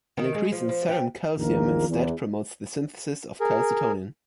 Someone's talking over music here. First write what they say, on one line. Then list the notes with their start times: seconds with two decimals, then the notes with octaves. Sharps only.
An increase in serum calcium, instead, promotes the synthesis of calcitonin.
0.17 D#3
0.34 G#3
0.52 F3
0.69 F3
0.89 G4
1.38 A#1 E2 A#2 D#3 A#3 A#4
1.88 E2
3.40 G#4 A#4